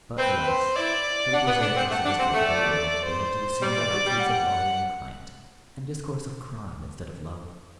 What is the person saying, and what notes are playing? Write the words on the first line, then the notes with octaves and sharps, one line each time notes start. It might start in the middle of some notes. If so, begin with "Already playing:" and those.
But, alas! for the prosaicness of this workaday world, they had to assume the attitudes of lawyer and client; and discourse of crime instead of love.
C4 B4
C5
E4 D5
D4 F#5
B3
D4
C4
A3 F#5
D4
C4
A3
D5
C5
G3 D5
E3
F#3
G3
F#5